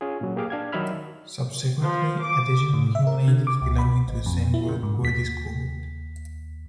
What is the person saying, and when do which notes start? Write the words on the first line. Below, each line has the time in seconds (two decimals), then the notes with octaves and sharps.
Subsequently, additional human agents belonging to the same group were discovered.
0.01 C#4 F4 G#4
0.21 A#2 F#3
0.36 A#3 G4 G#4 F5 D6
0.50 D4 F5 G#6
0.72 D#3 F#3 D#4 E5 B5 F6
1.82 F3
2.21 D6
2.74 A2
2.95 E5
3.07 A#4
3.28 D3
3.47 D6
3.62 C#2
3.79 B5
4.08 A1
4.26 F2
4.54 E4
4.68 C#3
4.83 G#2
5.03 D#2 B6